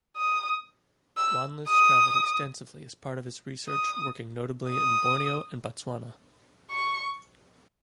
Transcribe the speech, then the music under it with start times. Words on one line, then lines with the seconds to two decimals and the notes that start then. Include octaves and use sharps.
Wanless traveled extensively as part of his research working notably in Borneo and Botswana.
0.16 D#6
1.17 E6
1.67 D#6
3.68 D#6
4.69 D#6
6.70 C#6